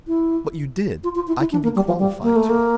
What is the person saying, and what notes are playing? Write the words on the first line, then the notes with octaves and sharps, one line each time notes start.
"But you did, I can be qualified to it."
E4
F4
F4
E4
E4
D4
A#3
G3
F3
G3
A#3
A3
A#3